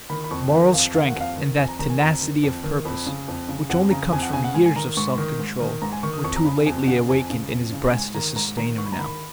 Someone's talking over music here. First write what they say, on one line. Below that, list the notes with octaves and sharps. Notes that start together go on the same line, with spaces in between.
Moral strength and that tenacity of purpose which only comes from years of self-control were too lately awakened in his breast to sustain him now.
D#3 B5
B5
F2 C#6
D#3 F5
F2 F5
D#3 F5
F#5
F2 F5
D#3
F2 G#5
A#5
D#3 A#5
G#5
F2 A#5
D#3
F2
D#3
F2 B5
C#3
F2
C#3
F2 F#5
C#3 A#5
F2 G#5
F#5
C#3 G#5
F#5
G#2 G#5
G#5
D#3 A#5
G#2 C#6
D#3
G#2
D#3
G#2 A#5
G#5
D#3 C#6
D#6
F2 C#6
A#5
C#3 B5
F2 G#5
C#3 F#5
F2 G#5
C#3
F2
C#3
G#2 G#5
D#3 A#5
G#2 A#5
D#3 A#5
G#2 C#6
B5
A#5
D#3 B5